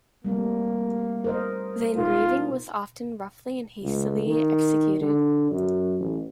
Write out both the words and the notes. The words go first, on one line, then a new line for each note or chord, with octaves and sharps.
The engraving was often roughly and hastily executed.
G3 A3 A#3 C4
A#4 C5 D#5
B2 D#4 F4 A#4
C#2
D#3
D3
F#2
A1